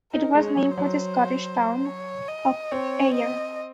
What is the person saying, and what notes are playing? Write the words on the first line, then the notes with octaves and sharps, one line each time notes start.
It was named for the Scottish town of Ayr.
D#4 A#4
G#3
C#5
F#3
C5
F#3
C#5
D#5
C4 C#5
D#5